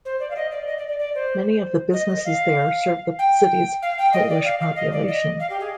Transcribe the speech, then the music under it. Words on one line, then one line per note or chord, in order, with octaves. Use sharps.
Many of the businesses there serve the city's Polish population.
C5
D5
F5
D#5
D5
D#5
D5
D5
D5
C5
D#5
D#5
F5
G5
F5
G5
D#5
D5
F5
F5
D#5
D5
D#5
F5
G4
G#4